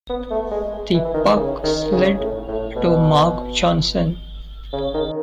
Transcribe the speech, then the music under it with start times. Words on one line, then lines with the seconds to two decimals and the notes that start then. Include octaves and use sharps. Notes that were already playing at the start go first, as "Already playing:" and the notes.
The puck slid to Mark Johnson.
0.10 B3
0.31 A3
0.51 G#3
0.94 E3
1.05 E3
1.14 D#3
1.36 C#3
1.64 D#3
1.92 C#3
2.20 A2
2.48 A2
2.76 B2
4.73 C#3
4.94 D#3